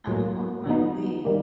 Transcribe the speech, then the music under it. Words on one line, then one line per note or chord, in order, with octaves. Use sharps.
I'm on my way.
A2 F#3 A#3
D3 F#3 B3 D#4
D#3 G3 A#3